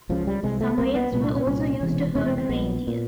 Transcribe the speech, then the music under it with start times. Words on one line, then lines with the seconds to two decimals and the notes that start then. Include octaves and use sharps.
Samoyeds were also used to herd reindeer.
0.09 C#2 C#3 F3
0.27 G3
0.43 C2 C3 G#3
0.61 A3
0.78 C2 C3 A#3
0.95 B3
1.12 C2 A#2 B3
1.24 D4
1.35 C#4
1.47 C2 A#2 C#4
1.81 E1 E2 C3
2.15 E1 E2 C3 C#4
2.27 C4
2.38 C4
2.49 A#1 A#2 B3
2.87 A#2